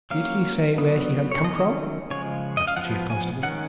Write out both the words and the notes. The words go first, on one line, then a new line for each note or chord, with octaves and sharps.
"Did he say where he had come from?" asked the chief constable.
F#3 A#3 C#4 F5
F#3 B3
C#5
D#3 F#3 C#4 D#5
C#3 F3 G#3 C#5
D#5
F5
F3 B3 F#5
G#5
D#3 G#3 C#4 F#5